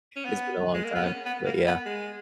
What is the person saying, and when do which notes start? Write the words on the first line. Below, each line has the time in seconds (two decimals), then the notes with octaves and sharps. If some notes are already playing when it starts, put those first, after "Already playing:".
it's been a long time, but yeah.
0.16 C#4
0.25 B3
0.74 G#3
0.84 A#3
0.95 B3
1.05 C#4
1.26 B3
1.46 A#3
1.66 B3
1.86 G#3